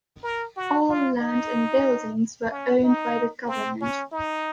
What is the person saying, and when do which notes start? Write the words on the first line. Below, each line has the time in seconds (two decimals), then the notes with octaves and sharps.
All land and buildings were owned by the government.
0.24 A#4
0.56 F#4
0.89 F4
1.21 D#4
2.51 C#4
2.83 D#4
3.48 C4
3.81 C#4
4.13 D#4